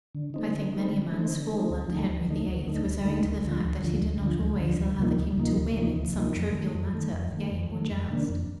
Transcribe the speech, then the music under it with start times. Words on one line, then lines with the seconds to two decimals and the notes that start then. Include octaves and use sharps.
I think many a man's fall, under Henry VIII, was owing to the fact that he did not always allow the king to win in some trivial matter of game or joust.
0.15 D3
0.34 A3 C4 D#4
0.54 D3
0.73 A3 C4 D#4
0.93 D3
1.12 A3 C4 D#4
1.32 D3
1.51 A3 C4 D#4
1.70 D2
1.89 D3 A3 D#4
2.09 D2
2.28 D3 A3 D#4
2.48 D2
2.67 D3 A3 D#4
2.86 D2
3.06 D3 A3 D#4
3.25 D2
3.45 D3 F3
3.65 D2
3.83 D3 F3
4.02 D2
4.22 D3 F3
4.41 D2
4.60 D3 F3
4.80 D2
4.99 C3 F3 A#3 D#4
5.18 D2
5.38 C3 F3 A#3 D#4
5.58 D2
5.77 C3 F3 A#3 D#4
5.96 D2
6.16 C3 F3 A#3 D#4
6.36 F2
6.55 D#3 A3
6.74 F2
6.93 D#3 A3
7.13 F2
7.33 D#3 A3
7.51 F2
7.72 D#3 A3
7.91 F2
8.09 C3 D#3 A#3 D4
8.29 F2